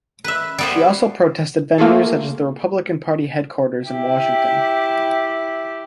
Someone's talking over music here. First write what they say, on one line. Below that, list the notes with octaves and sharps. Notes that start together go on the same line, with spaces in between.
She also protested venues such as the Republican Party headquarters in Washington.
B4 E5
G3 B3 C5
A3 A#3 F4 F#4 G#4 A4
E4 G4